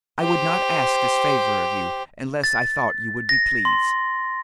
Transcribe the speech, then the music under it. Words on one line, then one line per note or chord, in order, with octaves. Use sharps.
I would not ask this favour of you unless I thought you would be pleased.'
G4 C5
A6
A#6
C6